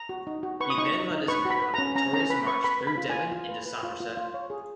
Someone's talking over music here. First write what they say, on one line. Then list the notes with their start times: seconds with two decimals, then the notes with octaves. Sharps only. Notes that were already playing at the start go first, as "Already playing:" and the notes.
He then led his men on a victorious march through Devon into Somerset.
Already playing: A#5
0.09 F#4
0.27 D#4
0.43 F#4
0.60 B4 C#6
0.70 D#6
0.78 D#4 C#6
0.94 D#4
1.11 D#4
1.28 B4 C#6
1.45 F#4
1.50 B5
1.62 B4
1.74 C#4 A#5
1.95 C#4 A#5
2.13 C#4 A#5
2.30 B4 B5
2.47 B4 C#6
2.64 B4 B5
2.81 B4
2.87 B5
2.97 F4
3.10 F4 G#5
3.32 F4
3.49 B4
3.66 B4
3.83 F4
4.00 F4
4.17 F4
4.34 C#5
4.50 G#4